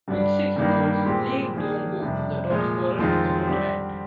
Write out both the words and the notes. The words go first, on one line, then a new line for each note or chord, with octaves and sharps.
With six goals, Lee Dong-Gook is the top scorer in the tournament.
G2 D3 G3 D4
G2 D#3 G3 A#3 D4
A#2 G#3 C4 G4
D#3 A#3 D4 G#4
F2 C3 G3 D4
A#2 F3 G#3
F2 D#3 G#3 C4 F4
D3 G3 C4 G4